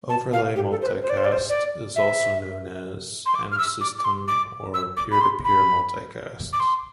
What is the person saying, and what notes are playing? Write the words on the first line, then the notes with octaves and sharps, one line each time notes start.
"Overlay multicast" is also known as "End System" or "Peer-to-Peer Multicast".
A5
F5
G4
A4
C5
B4
C5
D5
C5
D5
C5
D5
E5
C6
D6
F6
E6
D6
D6
C6
D6
E6
D6
B5
C6
B5
D6
C6